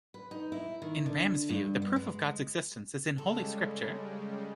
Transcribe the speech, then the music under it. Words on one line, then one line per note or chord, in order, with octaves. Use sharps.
In Ramm's view, the proof of God's existence is in Holy Scripture.
B4
D#4
E4
D#3
D3
G2
B3
G#3
C#3 G3 G#3 A4